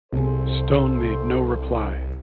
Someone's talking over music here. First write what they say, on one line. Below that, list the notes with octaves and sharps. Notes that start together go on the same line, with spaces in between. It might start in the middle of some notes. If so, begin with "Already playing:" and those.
Stone made no reply.
C2 C3 G#4 A4 C5